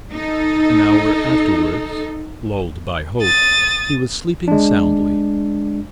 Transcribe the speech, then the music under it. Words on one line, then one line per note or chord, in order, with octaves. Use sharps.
An hour afterwards, lulled by hope, he was sleeping soundly.
D#4 A4
D#6 A6
G#3 D4